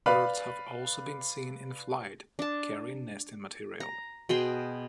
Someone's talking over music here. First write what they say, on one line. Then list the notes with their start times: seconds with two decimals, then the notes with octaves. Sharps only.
Birds have also been seen in flight carrying nesting material.
0.06 B4 D5 F5 B5
2.39 D4 A5
3.80 A#5
4.29 B2 G#4 G5 C6